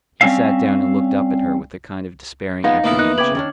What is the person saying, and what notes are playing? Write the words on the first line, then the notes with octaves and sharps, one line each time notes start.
He sat down and looked up at her with a kind of despairing apprehension.
G3 C4 C#4 E5 F5
F3 G#3 B3 D#4 F5
C#2 A#2 D#3 A#3 B3 E4
D#3 D#4 F#6
C#3 B4 G5 D6 G#6 F#7
D#3 C#4 D4